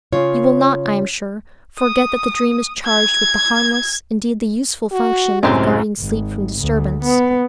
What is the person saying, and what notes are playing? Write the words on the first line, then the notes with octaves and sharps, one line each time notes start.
You will not, I am sure, forget that the dream is charged with the harmless, indeed the useful function of guarding sleep from disturbance.
C#3 F4 C#5
D#6
G#6
F#4
C#2 F#2 A2 C3 G#3 C4 G4
G#1
D2
B3